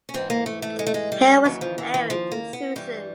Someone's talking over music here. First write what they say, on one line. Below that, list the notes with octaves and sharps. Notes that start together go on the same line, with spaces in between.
Hale was married to Susan.
C#4
G#2 E3 C4
A#3
A3
A3
G#3
A3
G#3
G3
D#2 C#3 E3 F#3
F3
E3
E3
F3
A#3
B3
G2 E3 G3